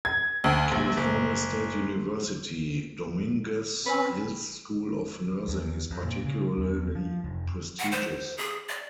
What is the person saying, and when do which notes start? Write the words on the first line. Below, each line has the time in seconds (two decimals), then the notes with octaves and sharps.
California State University, Dominguez Hill's School of Nursing is particularly prestigious.
0.05 G#6
0.44 D2
0.71 A#1
0.97 F#1
3.86 C4 C#4 B4
5.48 E2
5.91 F2
6.04 A#2
6.25 C#3
6.58 E2
6.95 F3
7.24 F1
7.79 F#5
7.92 C5
8.37 G#4
8.69 D5